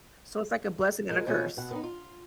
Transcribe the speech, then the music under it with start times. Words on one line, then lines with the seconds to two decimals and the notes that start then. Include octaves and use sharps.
So, it's like a blessing and a curse.
1.09 F3 G#3 A#4
1.26 B2 F3 A3 C#4 F#4
1.57 B2 F#5
1.71 B3 C4 D#4
1.84 F4